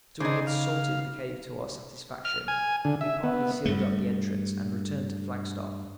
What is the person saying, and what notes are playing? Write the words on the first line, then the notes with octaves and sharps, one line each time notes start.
"After we had 'salted' the cave to our satisfaction, we partly sealed up the entrance and returned to Flagstaff."
C#3 D4 D#4 G#4 C5
F5
F6
G#5
D3
E5
B3
G2 A3